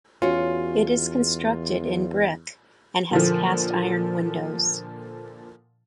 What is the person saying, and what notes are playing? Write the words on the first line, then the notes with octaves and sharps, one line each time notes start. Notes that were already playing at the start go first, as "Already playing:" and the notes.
It is constructed in brick and has cast iron windows.
E2 C#4 F4 F#4
A#2 D3 F3